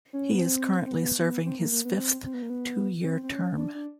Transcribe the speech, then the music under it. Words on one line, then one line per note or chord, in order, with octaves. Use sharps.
He is currently serving his fifth two-year term.
C#4
B3
C4
C4
B3
B3
C4
A#3
A#3
B3
C4
C4
B3
A#3
B3
C4
C4
C#4
D4
D4